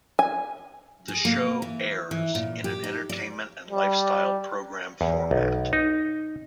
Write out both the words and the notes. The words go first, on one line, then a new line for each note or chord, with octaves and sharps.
The show airs in an entertainment and lifestyle program format.
G#5
G#4
A#3
E3
E3
A#2
G4
D#4
D5
G3
E2
B1
D#4